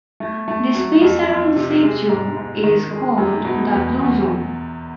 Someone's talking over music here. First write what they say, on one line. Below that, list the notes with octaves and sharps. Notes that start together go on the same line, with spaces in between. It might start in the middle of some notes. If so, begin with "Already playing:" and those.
That space around the safe zone is called the blue zone.
A3
A3
F#3
F2
F2
C3
G#3
G#2
G#2
D#3
G#3
F#2
B2
E2
E2